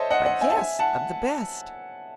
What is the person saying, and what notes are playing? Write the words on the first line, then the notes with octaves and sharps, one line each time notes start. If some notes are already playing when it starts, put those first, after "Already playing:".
'But yes, of the best!'
Already playing: A4 C5 C#5 D#5 E5
D#5 F#5
D#5 F#5
E5 G#5
A5
E5 G#5
F#5 A5